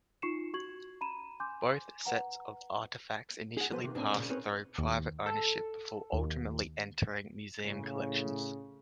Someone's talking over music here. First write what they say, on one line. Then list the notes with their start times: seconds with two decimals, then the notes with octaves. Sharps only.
Both sets of artifacts initially passed through private ownership before ultimately entering museum collections.
0.22 D#4 F4 C#6 C7 C#7 E7
0.54 F#4 C#6 G#6 F#7
1.01 A#5 B5 D#7 E7
1.40 G#5 C6 D6 G6
2.05 B4 F#5 A#5
3.57 G#4 F#5
3.71 F3 F#3 F#4 A4 B4 C5
3.83 C3 D#3 A#3
3.95 A2 A#3 C4 D4
4.16 A#2 C#3 A#3
4.29 C4 G#4 A#4 B4 C#5
4.78 D#2
5.26 A4
6.13 D#2
7.64 A2 C#3